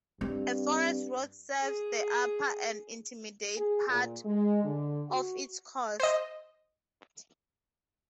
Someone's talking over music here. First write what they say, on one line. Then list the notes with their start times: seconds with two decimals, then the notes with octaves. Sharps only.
A forest road serves the upper and intermediate part of its course.
0.21 G2 C4
1.61 G#4
3.57 G#4
3.89 A#2
4.25 G#3
4.64 D3
5.10 F#4
6.00 C5 D#5